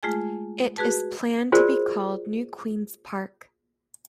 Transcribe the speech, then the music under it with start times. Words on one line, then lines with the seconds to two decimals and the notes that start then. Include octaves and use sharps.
It is planned to be called New Queens Park.
0.03 G#3 A3 F4 G#4 G#5
0.77 F#4 G#4 B4 A5
1.52 F4 F#4 G#4 A#4 C5 D5